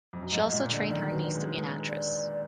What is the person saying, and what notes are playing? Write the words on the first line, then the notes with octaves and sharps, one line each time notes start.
She also trained her niece to be an actress.
F2
F#2
G#2 D#5
A#2 D#5
D3 D5
D#3 D5
F#3 B4
G#3
B3
D5